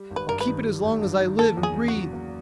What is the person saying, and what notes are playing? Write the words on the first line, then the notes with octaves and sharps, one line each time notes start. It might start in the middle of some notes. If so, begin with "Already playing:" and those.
"I'll keep it as long as I live and breathe."
Already playing: G3
G#1
B4
G2 A#4
B4
D#3
G3
G#1
G2
D#3
A#3 A4
E2
G#4
C#3
F#4
F#3
A#3